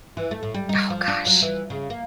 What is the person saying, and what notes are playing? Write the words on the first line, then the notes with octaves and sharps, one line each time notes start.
Oh gosh.
E3
A3
A2
G3
D#4
F3
D4
F#3
E3
C#3
A#3